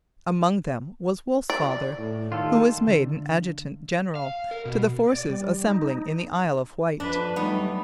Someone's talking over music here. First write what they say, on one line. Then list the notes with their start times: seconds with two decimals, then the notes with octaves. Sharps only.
Among them was Wolfe's father, who was made adjutant-general to the forces assembling in the Isle of Wight.
1.50 D5
1.98 A2
2.32 D#3 F4 G4 A4
2.87 D3 D4
4.15 F5
4.51 A#4
4.65 B2
5.08 D5
5.29 G3
5.67 D#4
7.00 F2 D4 B4
7.36 F#3 G3 A3 B3 D#4